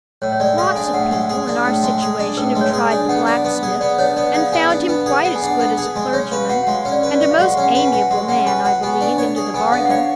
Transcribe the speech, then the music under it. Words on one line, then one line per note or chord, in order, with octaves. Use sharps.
Lots of people in our situation have tried the blacksmith, and found him quite as good as a clergyman, and a most amiable man, I believe, into the bargain.
A2 C#5
C#5
G#3 D5
G#4 F5
D4 G#5
A2 F#5
G#3
G#4
D4
A2
G#3
G#4
D4
A2 B4
G#3
C#5
G#4
G#5
D4
B3 F#5
D4
B3
G#4
B3 D5
D4 C#5
B3 D5
G#4 F5
B3 G#5
D4
B3
G#4
B3 F#5
G#5
D4 F#5
B3
G#4
G#3 G#5
C#4 C#5
B4 F5
F#4 F#5
F#5
G#3 F5
C#4
D5
B4
D5
F#4
F5
G#3 F#5
C#4
F#5
B4
G#5
F#4
G#3 F#5
C#4 F#5
B4 G#5
F#4 F#5
B3 G#5
D4 G#5
C#5
G#4
B3 G#5
D4 F5
F#5
C#5 F5